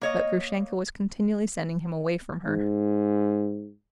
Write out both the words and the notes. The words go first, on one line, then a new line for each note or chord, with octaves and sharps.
But Grushenka was continually sending him away from her.
A#3 C#5 D#5
G#2